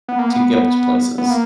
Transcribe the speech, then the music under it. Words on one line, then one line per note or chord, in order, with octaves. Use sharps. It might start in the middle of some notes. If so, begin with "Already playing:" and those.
to get to places.
B3
A#3
B3
B3
A#3